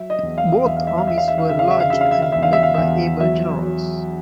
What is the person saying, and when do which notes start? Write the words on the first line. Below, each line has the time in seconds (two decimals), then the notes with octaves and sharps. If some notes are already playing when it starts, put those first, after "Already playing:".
Both armies were large and led by able generals.
Already playing: F#3 E5
0.10 D#5
0.23 E2
0.38 F5
0.65 E2 E5
0.76 F5
0.87 E5
0.98 F5
1.07 E2 E5
1.18 F5
1.28 E5
1.38 F5
1.49 C#3 E5
1.59 F5
1.70 E5
1.80 F5
1.90 C#3 E5
2.01 F5
2.11 E5
2.22 F5
2.32 E2 E5
2.43 F5
2.53 E5
2.63 F5
2.74 E2 E5
3.20 F#3 E5
3.62 F#3